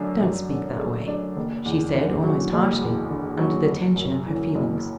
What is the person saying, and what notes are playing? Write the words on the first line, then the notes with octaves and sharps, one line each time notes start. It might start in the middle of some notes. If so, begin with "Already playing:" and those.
"Don't speak that way," she said, almost harshly, under the tension of her feelings.
Already playing: F#2 D3 A3 D4
F#2
D3
A3
D4
F#1
E2
D3
F#3
F#1
E2
D3
F#3
F#1
F#2
E3
F#1